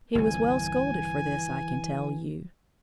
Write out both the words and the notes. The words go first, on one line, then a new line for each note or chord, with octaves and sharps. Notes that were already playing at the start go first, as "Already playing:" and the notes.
He was well scolded for this, I can tell you.
G1 C2 E3 G#5